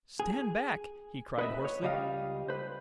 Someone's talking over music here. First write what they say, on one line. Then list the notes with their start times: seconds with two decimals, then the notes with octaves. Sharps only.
"Stand back!" he cried, hoarsely.
0.20 G#4
1.38 B4 D#5 E5
1.65 C#5
1.83 C#2 G3 D#5 F5
2.48 B4 C5